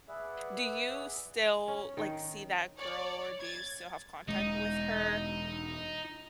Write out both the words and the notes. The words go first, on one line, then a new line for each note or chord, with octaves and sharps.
Do you still, like, see that girl, or do you still have contact with her?
G#4 B4 D5 E5 F#5
C#4
D#3
C#5 D5
G#6 A6
E1 G#3 C#4 D#4